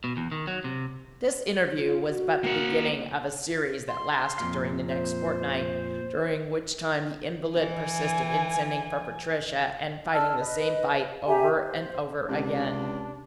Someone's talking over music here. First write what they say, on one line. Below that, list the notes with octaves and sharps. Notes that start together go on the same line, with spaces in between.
This interview was but the beginning of a series that lasted during the next fortnight, during which time the invalid persisted in sending for Patricia and fighting the same fight over and over again.
B2
E2
D#3
F#3
C3
F4
F#4
A#3 F#5
C6
F2 A#2 F5
C5
E3 G#5
D5 A5 E6 F6
B4 D#5
G4 E5 G#5 A#5
C5
C#2 C3 D4